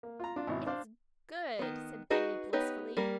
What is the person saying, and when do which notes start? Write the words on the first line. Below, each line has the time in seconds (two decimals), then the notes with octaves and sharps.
"It's good," said Benny blissfully.
0.03 A#3
0.20 F4 A#5
0.36 D4 F4
0.47 G#1 B2 E4
0.66 C4 D4 C5 D5 F5
1.59 D#3 B3
2.10 D#4 F#4 G#4 B4 D#5
2.53 B3 D#4 G4 B4 C#5
2.97 G3 A#3 A#4